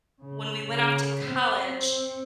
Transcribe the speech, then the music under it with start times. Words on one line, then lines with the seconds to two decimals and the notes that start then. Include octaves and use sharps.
when we went off to college,
0.20 C#3
0.63 C#3
1.25 C4
1.65 C4